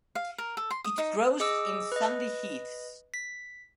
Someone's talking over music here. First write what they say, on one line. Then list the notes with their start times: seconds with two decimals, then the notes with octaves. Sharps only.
It grows in sandy heaths.
0.15 F5
0.38 A#4
0.57 A4
0.71 C6
0.84 D#6
0.98 D#4
1.40 G#4 D#5 D6 E6
1.92 B4 D#5
3.14 B6